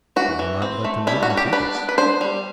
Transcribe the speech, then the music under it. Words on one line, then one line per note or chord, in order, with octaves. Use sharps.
It will not let them eat in peace.
E3 F#4
E3
C4
A3
G3 E4
F#4
G3
G4
D4 B4
B3
B4
D4 C5
G3